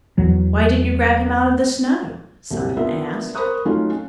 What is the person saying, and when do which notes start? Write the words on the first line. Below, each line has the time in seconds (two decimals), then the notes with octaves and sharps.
"Why didn't you grab him out of the snow?" Simon asked.
0.18 E2 F#3
2.51 C2 F#2 A#2 G4
2.77 B3 D4 F4 A#4 E5
3.35 A#4 C5 B5 C#6 D#6 F#6
3.65 F#3 A3 C#4 D#4 F4
3.92 C#4